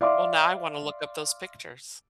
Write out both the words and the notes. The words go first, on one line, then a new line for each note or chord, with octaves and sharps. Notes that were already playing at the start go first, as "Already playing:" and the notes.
Well, now I wanna look up those pictures.
D5 E5 F5 C6 D6